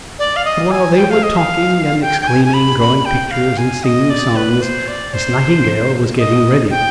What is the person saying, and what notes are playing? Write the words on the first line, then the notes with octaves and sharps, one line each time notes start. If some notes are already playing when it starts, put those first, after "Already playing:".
But while they were talking and exclaiming, drawing pictures and singing songs, Miss Nightingale was getting ready.
D5
F5
D#5
G#5
G5
F5
D#5
F5
G5
G5
G#5
G#5
B5
B5
G5
F5
G#5
D#5
D5
B4
C5
D5
C5
D#5
G5